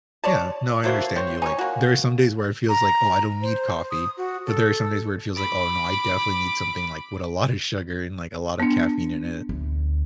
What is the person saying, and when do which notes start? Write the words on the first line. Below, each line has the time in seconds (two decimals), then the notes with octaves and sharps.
Yeah. No, I understand you, like, there are some days where it feels like, "Oh, I don't need coffee," but there are some days where it feels like, "Oh, no, I definitely need something, like, with a lot of sugar and, like, a lot of caffeine in it."
0.24 C#5 D5 A5
0.84 A3 A#3 E4 F#4 C5
1.16 C4 C5 C#5
1.42 D#4 C#5 G#5
1.58 A#3 F#4
2.69 A#5
3.42 C5
3.90 D#6
4.17 F#4
4.46 A4
5.36 B5 D6
8.60 B3 D4
9.49 D2